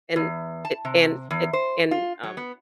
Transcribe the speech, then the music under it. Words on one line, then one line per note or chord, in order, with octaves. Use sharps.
and a and a and, um
E2
A5
C3
E2
C5
F4
F#3
B3